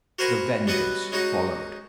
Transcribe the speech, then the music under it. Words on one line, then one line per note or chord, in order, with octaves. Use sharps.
The Vengeance followed.
F#4 A#4 C5 G#5 B5 C#6
G3 B3 C#4 F#4 B4 D#5
G#3 C#4 D#4 F#4